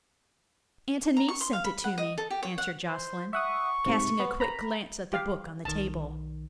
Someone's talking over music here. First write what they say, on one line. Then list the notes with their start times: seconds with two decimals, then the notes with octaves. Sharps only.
"Aunt Annice sent it to me," answered Joscelyn, casting a quick glance at the book on the table.
1.17 A#5
1.28 C#6
1.41 C6
1.53 F5
1.65 B5
1.84 F#5
1.98 D#5
2.18 A4
2.30 G4
2.43 C#5
2.58 F#5
2.87 C5
3.33 E5 F#5 C#6 D#6
3.86 G#2 C3
4.20 B3
4.40 A#5 B5
5.13 G4 F5
5.65 B1 D#3 A5